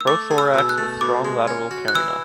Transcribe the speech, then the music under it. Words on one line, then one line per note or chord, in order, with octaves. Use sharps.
Prothorax with strong lateral carina.
E6
A3 D6
G#4
E6
B2 E6
F#6
A3
B2 D6
G#3
C#4
F#4
F#6
E3 E6